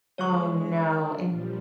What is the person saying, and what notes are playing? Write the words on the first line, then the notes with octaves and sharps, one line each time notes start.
Oh, no, and
D3 G#3 C#5 C#6
D4
A#2 F3 G3